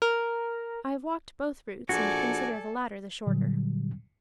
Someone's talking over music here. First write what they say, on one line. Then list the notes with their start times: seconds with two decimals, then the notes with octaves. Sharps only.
I have walked both routes and consider the latter the shorter.
0.02 A#4
1.89 A#1 F#4 A4 D5 G#5
3.27 A#2 D3 F#3 G3